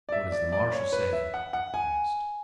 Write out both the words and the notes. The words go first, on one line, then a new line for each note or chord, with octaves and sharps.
"What does the marshal say?" he asked.
D5
E5
D5
D5
C#5
B4
E5
F#5
F#5
G#5